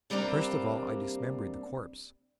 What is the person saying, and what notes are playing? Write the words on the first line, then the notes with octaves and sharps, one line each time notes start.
First of all I dismembered the corpse.
C3 G3 A#3 C4 D4